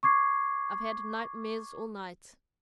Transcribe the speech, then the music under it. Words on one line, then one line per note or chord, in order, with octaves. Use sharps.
"I've had nightmare all night!"
C#6 D6 G#6 C7